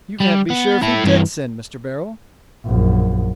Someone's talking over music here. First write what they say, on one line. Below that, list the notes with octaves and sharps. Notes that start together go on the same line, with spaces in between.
"You can't be sure if he did sin, Mr. Beryl."
G3
B3
E4 A4
G2 E3
A#1 F#2